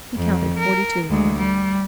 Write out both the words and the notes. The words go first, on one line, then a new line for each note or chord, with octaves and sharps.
He counted forty-two of them.
F2
A#4
D2 G#3
G3